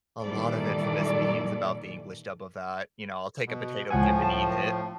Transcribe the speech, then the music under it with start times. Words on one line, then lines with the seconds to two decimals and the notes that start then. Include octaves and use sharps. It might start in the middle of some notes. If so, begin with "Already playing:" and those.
a lot of infamous memes about the English dub of that. You know, I'll take a potato chip and eat it.
0.22 A#2 D#3 E3 G3 A4 D5
3.47 B2
3.91 C#2 A2 F3 F#5 G#5
4.22 A5